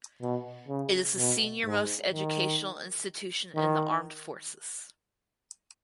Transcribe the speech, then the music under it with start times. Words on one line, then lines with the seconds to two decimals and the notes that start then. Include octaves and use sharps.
It is the seniormost educational institution in the armed forces.
0.21 B2
0.68 C#3
1.17 B2
1.64 G#2
2.12 D#3
3.55 D#3